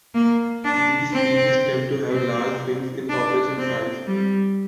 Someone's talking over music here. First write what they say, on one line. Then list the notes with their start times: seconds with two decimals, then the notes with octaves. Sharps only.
These species tend to have large swings in population size.
0.15 A#3
0.64 D4
1.13 C4
2.11 C4
3.09 D4
3.58 C4
4.07 G3